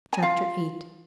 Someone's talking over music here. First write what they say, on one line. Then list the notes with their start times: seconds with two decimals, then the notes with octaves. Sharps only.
Chapter VIII.
0.13 G#5
0.23 F4 F5